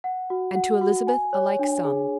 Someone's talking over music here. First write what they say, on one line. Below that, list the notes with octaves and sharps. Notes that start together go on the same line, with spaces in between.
"And to Elizabeth a like sum."
F#5
F#4
F#5
F#4
G#5
C#5
D4
G#4